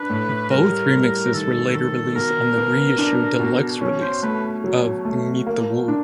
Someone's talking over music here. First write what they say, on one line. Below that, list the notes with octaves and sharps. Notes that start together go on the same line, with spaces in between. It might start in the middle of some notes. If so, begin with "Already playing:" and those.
Both remixes were later released on the reissue deluxe release of "Meet the Woo".
Already playing: D4 B4
A2
G3 A#4
G3
D#3 A4
D#3 A4
B2 A#4
B3
D4
B2
C#4
C5
A3 B4
F#3
A3
A#3
D4